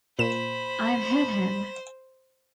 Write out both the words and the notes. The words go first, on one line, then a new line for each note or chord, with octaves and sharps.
I've hit him.
A#2 C5 B5 E7